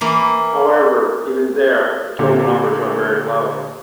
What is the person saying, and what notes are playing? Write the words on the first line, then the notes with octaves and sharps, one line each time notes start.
However, even there, the total numbers are very low.
E3 A#3
A#2 D3 A#3 G4